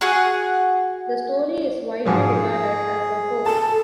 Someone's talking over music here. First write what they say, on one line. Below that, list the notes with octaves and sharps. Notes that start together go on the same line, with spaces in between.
The story is widely regarded as a hoax.
F#4 G#4 F#5 F#6
G#2 F3 F#3 G#4
A4 A5